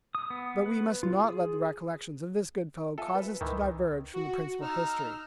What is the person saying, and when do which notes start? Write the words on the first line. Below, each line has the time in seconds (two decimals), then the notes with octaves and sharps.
But we must not let the recollections of this good fellow cause us to diverge from the principal history.
0.15 D#6
0.30 B3
0.66 B4
1.03 F4
1.23 G#4
2.98 F4 A4 E5 G#5
3.15 B4
3.41 C#2 D#3 E3
4.13 F#4
4.60 D#4 E6 F6